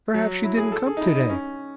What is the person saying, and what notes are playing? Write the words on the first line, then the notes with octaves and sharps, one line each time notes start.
"Perhaps she didn't come today."
F#3
E4
G#4
A4
G#4
D#4
E4
D#4
C#4